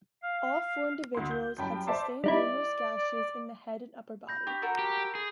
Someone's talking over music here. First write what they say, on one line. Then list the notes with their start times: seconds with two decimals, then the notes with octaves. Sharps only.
All four individuals had sustained numerous gashes in the head and upper body.
0.22 F5
1.15 D2 C6
1.31 G6
1.58 F#2 G3 G5 A5 B5
1.87 C5 D5 E5 A5 C6 D6
2.24 G3 D#4 E4 D5
4.28 B5 G6 A#6
4.47 G4 C#6
4.62 F#4 A4 A#4
4.79 G4
5.15 G#4